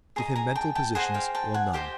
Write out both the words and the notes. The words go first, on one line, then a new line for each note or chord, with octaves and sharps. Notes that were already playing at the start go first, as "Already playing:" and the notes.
Give him mental positions or none.
G#4 C5 D#5 G#5 A#5
G#5 A#5
G5 A5
G5 A5
G#4 C5 D#5 F#5 G#5
F5 G5
G5 A5
F#5 G#5
G4 C5 D#5 F5 G5